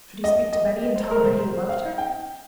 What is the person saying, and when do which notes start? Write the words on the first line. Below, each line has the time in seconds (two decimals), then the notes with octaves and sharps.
Should he speak to Betty and tell her he loved her?
0.24 D#5
0.53 D#5
0.81 D#5
0.96 C5
1.11 A#4
1.24 C5
1.39 C5
1.69 F5
1.98 G5